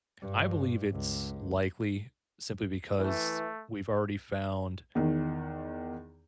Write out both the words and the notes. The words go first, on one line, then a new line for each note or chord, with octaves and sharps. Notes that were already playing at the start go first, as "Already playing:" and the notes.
I believe it's likely simply because we've already found,
G2
C#2
E3 A3
E2 D#3